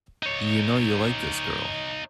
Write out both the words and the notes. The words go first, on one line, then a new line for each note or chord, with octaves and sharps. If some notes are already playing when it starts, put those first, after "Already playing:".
You know you like this girl.
D#4 C#5